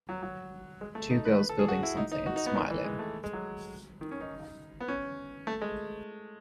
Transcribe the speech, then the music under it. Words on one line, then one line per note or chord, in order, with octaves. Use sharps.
Two girls building something and smiling.
F#3
F#3
G#3
A3
D#4
B4
B4
A4
G#4
F#4
E4
D#4
D#4
F#4
D#4
B3
D#3
E3
G#3
A3
G#3
F#3
D#3
C#4
D#4
B3
C#4
A3
G#3